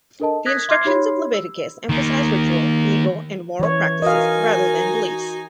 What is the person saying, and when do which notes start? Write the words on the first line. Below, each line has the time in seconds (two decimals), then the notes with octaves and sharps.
The instructions of Leviticus emphasize ritual, legal and moral practices rather than beliefs.
0.20 D4 A4 A#4 D#5 A5
0.46 D#6 F#6 G#6 A#6 B6
0.69 E5 C6 D6 F6 G#6 C7
0.85 D#4 G4 C#5 B5 C6
1.34 E6
1.89 D#3 A#3
3.60 E3 C#5
4.02 D#4 F#4 A#4 D#5 F5 G#5